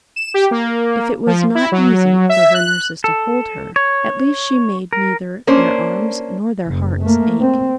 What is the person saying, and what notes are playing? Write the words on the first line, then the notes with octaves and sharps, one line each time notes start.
If it was not easy for her nurses to hold her, at least she made neither their arms nor their hearts ache.
E7
G4
A#3
F3
E4
F#3
E5
F#6
A4
C#5
A#4
A#3 C#4 D4 C5
F#1
A3 A#3
C4